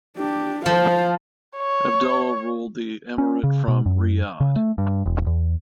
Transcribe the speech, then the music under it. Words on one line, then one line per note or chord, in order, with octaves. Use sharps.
Abdullah ruled the emirate from Riyadh.
D4 G4
F3 C5 F5
C#5
C#4
C#3
B2
F#2
C#3
A3
G2
E1
E2